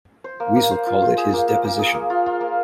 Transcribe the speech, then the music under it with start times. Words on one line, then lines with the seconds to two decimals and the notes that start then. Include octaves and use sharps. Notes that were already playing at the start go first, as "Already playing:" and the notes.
Wiesel called it his deposition.
0.24 C5
0.40 A#3
0.56 A#3
0.71 C5
0.86 F4
1.02 C5
1.17 G#4
1.33 A#3
1.48 A#3
1.64 A#3
1.79 G#4
1.94 A#3
2.10 F4
2.26 F4
2.41 A#3